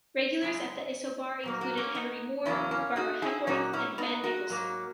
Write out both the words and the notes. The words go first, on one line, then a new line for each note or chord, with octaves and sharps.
Regulars at the Isobar included Henry Moore, Barbara Hepworth and Ben Nicholson.
F#2 C#3 G#3
A#2 F#3 A#3
F#4 A#4
A#3 C#4
B3 D#4
E2 C#3 F#3 A#3 C#4 E4
A#3 C#4
D#4 F#4
E4 G#4
A#2 F#3 A#3 D#4 F#4
C#4 E4
B3 D#4
F#4 A#4
G#2 F#3 A#3